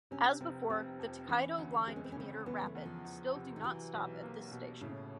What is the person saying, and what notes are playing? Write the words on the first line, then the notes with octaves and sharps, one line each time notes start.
As before, the Tokaido Line commuter rapid still do not stop at this station.
C3 C#4
F1 C4
F1 C4
F2
E3 C#4
D2
G#3 C4
C#4
C4
C#4
C#3 C4
E3 B3
G#3
A3
E2
F3
E2
C3
D#3
E3 F#3
B1
A#3
B2
A2 C#3